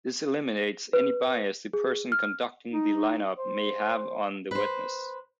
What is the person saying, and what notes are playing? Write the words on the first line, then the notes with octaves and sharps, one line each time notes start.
This eliminates any bias the person conducting the lineup may have on the witness.
B4
G#4
F6
D#4
C5
B4 C5